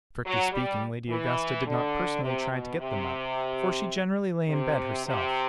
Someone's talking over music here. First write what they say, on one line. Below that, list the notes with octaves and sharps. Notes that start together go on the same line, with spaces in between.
Strictly speaking, Lady Augusta did not personally try to get them up, for she generally lay in bed herself.
F#3
G3
E3
D3
C3
B2
C3
C3
C3